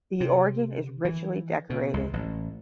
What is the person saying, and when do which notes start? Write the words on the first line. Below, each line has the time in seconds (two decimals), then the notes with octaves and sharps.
The organ is richly decorated.
0.20 C3
1.05 E3
1.70 B2
1.94 C#2
2.13 A1